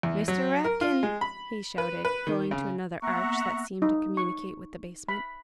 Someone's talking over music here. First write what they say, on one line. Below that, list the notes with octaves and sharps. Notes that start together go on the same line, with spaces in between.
"Mr. Rapkin!" he shouted, going to another arch that seemed to communicate with the basement.
E2
F#3
A#4
F4
G#3
B5
B4
B4
D#3
C#3
A#3 B3 E5 F#5 A#5 C#6
D#4
C#6
B5